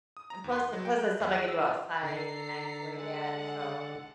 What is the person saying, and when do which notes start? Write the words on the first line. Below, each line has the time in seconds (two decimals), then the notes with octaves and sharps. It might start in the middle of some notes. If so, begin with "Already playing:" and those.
And plus plus there's something I can do outside, and I enjoy that. So
0.17 D#6
0.30 A#5
0.44 D#2
0.56 C6
0.73 F#3
0.85 G5
1.03 F#6
1.20 E2
1.33 G#4
1.48 E6
1.62 F4
2.03 D3 A4 A#5 C7
2.96 G#3 F#5